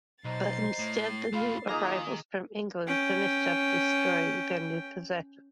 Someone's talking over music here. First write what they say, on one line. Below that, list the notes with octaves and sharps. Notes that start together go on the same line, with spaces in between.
But instead, the new arrivals from England finished up destroying their new possession.
B1 C5 D#5 A#5 A6 C7
A2
A3 F4 F5 B5
D#3 A#3 D#4 F4 G#4 D#5 A#5
C#4 G5